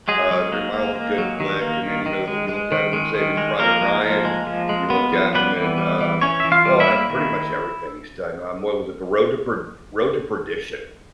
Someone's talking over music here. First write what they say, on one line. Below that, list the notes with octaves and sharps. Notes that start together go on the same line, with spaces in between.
Uh, Green Mile is a good flick, and then, you know, l you look at him in Saving Private Ryan, you look at him in, um, well, eh, pretty much everything he's done, um, what was it? The Road to Per Road to Perdition.
F#3 G#3 G#4
F#3
A#3
A#3
A#3
F#3
D#3
A#3
D#3
D#3
G#3
G#3
D#3
G#3
D#3
G#3
F3 A#3 A#4
G#3
F3
G#3
F3
G#3
B3
F3
G3 B3 B4
E3
G3
E3
E3 C#4 C#5
E3 E5
F4 F5
G3
E4 E5
A#3
D#3